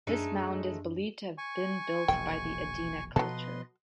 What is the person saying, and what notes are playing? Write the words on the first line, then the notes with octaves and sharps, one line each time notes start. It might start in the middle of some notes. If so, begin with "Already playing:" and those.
This mound is believed to have been built by the Adena culture.
F#2 G#3 A3 D4 D#4
G#5 C#6
E1 A#1 G5
B2 F3 F#3 B3 A4 B4 D#5 C6